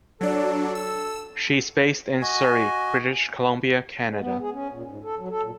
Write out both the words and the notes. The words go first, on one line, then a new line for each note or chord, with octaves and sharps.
She is based in Surrey, British Columbia, Canada.
F#3 D4 A4
E6
F#4 D#5 G#5
G#3
B3
G#4
C#4
A#2
G#2
A4
F#3
A4
A#2